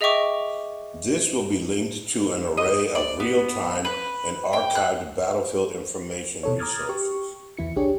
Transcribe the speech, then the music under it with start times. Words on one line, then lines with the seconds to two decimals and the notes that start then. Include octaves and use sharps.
These will be linked to an array of real-time and archived battlefield information resources.
0.01 G#4 D#5 E5 G5 C#6 D6
2.57 D#5
2.95 D5
3.20 B3
3.85 B4
4.53 G5
4.75 F#6
6.43 B2 A4 C#5
6.59 A#5 D6 D#6 F6 G#6 A6
6.89 G4 C#6
7.57 E2 E3 E4 C#7
7.76 D4 G4 G#4 C#5